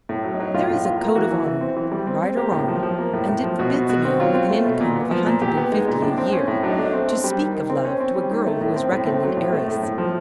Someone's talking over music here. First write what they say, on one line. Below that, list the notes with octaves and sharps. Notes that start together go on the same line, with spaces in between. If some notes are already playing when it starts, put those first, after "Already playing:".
There is a code of honour, right or wrong, and it forbids a man with an income of a hundred and fifty a year to speak of love to a girl who is reckoned an heiress.
A2
F#3
D#4
F#3
A2 F4
A2
A2 F4
A#3
E3 F#4
E3
E3
C4
E3
G3
C4
C4
A#3 G4
A2
F3
F3
A#3
A2
A2
F3
B2 F#4
B2
B2 F#4
C4
F#3 F4
C4
A3
B2
A#2
B3
F3
A#2
A#2 G4
B3
G#3 D#4
A#2
A2 D4
C4
C4 C#4
A2
F#3 D4
D#4
A3 D4
C4
C4
G3
D#3
D#3
C4
C4 C#4
C4
G3
D#3
A3
A2
C4
A2
A3 C4
F#3
A2
A3
A2
A2
F3